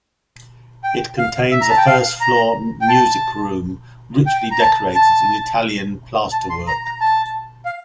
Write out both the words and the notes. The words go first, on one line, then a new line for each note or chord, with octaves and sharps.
It contains a first floor music room richly decorated in Italian plasterwork.
G5
F5
E5
A#5
A5
G5
F5
A#5
G5
A5
G5
A#5
A5
A5
A5
C6
A#5
A#5
A5
F5